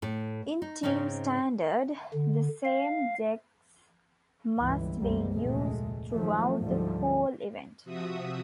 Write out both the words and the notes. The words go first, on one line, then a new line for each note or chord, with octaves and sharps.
In Team Standard, the same decks must be used throughout the whole event.
A2 A4
D#4
G#2 C#3 C4 C#4 D#4
D3
F5
G1 C#2 E3
F#1 C2 E3 G3 A#3 C4
F1 D2 A#2 G#3 A3
D#3 F3 F#3 A3
D2 G#2 D3 F3 G3 A3
C3 F3 F#4 E5 D#6